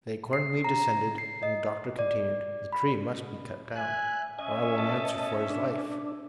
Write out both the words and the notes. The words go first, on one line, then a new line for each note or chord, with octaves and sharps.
They accordingly descended, and the doctor continued, "The tree must be cut down, or I won't answer for his life."
C7
A#5
C7
D#5
D5
B5
E5 G#5 F#6
C#4 D#5 E5 G#5
D#5 A5
D4